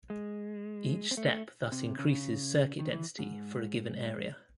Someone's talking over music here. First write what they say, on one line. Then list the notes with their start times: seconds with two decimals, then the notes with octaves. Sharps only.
Each step thus increases circuit density for a given area.
0.10 G#3
1.11 C4
1.17 A3
1.72 C3
1.99 C#3
2.79 D#3
2.93 E3
3.19 G#2